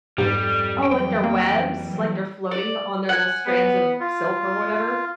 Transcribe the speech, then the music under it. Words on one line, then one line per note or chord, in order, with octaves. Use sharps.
Oh, like their webs? Like, they're floating on their little strands of silk or whatever?
F2 G#2 G3 G4
E3 F#3 G3 G5
A#3
D5
F#5 G#5
B3
F4